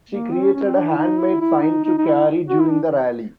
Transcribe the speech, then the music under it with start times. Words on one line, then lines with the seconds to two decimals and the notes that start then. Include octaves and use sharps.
She created a handmade sign to carry during the rally.
0.11 A#3
0.32 C4
0.44 C#4
0.55 C#4
0.66 C4
0.76 D4
0.90 E4
0.98 D#4
1.19 E4
1.41 E4
1.62 D#4
1.84 D#4
1.98 D#4
2.06 E4
2.49 F#4
2.60 E4
2.70 D4